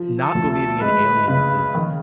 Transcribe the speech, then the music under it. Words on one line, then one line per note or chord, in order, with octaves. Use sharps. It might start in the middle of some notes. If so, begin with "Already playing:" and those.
not believing in aliens is
Already playing: F3
A4
D2
A4
G#3 B4
C#3 B4
D#3